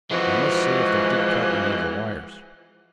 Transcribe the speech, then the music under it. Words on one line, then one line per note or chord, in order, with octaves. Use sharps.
"I must see if they did cut any of the wires."
E3 F3 G#3 F#4